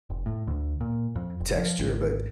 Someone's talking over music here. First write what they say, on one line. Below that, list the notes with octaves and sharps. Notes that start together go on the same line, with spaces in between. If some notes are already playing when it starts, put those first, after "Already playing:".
texture, but
F1
A2
D2
A#2
F2
F1
F3
G#1